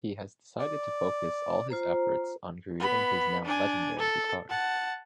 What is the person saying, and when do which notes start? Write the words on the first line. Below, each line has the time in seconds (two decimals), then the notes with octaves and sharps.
He has decided to focus all his efforts on creating his now legendary guitars.
0.59 D5
1.70 F4 C5 A#5
2.80 B3 B5
3.45 D4 G#5
3.99 A4
4.49 F#5 A5